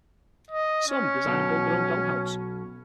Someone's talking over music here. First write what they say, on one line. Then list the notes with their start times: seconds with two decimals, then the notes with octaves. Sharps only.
Some design and build their own dollhouse.
0.51 D#5
0.88 C#4
1.26 B1 B2